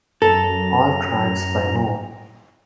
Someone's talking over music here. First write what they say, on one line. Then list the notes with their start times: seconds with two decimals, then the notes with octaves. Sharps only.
All tracks by moe.
0.22 F#2 A4 A#5